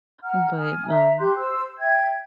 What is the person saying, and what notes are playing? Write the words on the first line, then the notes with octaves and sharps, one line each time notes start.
but, um
F#5 A#5 F6
G#5 D#6 F6
E5 A#5
G4 C6 F#6 G6
C5 E6
E5 G5 G#6